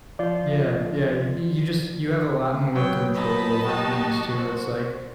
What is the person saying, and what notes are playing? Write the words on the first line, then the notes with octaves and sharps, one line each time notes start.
Yeah, yeah, y you just you have a lot more control over things too. It's like,
F3 F4 D5
F#3 B3 G5
D#4 D#5 A5 B5
F#4 G4
C5